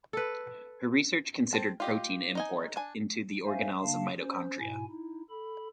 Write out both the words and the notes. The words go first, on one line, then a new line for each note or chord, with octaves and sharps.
Her research considered protein import into the organelles of mitochondria.
A4 B4
C4 A5
F4 G4 D#5
D#4 D#5 G#5
D4 G#5
C5 E5 F5 G#5
C#3 A#3 D4 F5 A5
C#4 C5
G#2 B2 E4 G#5
D#4 E4
A4 B5